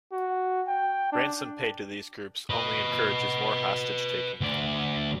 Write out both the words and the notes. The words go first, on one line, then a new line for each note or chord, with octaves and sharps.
Ransom paid to these groups only encourages more hostage taking.
F#4
G5
D4
B4 D#5
D2 D5